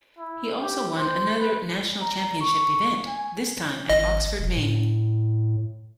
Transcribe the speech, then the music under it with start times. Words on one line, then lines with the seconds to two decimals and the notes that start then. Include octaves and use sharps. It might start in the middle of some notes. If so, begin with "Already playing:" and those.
He also won another National Championship event, this time at Oxford Maine.
0.18 E4
0.61 G4
0.98 C5
1.39 B4
2.01 A#5
2.41 C#6
3.07 G#5
3.90 G#1 D#5
4.39 E1
4.56 A2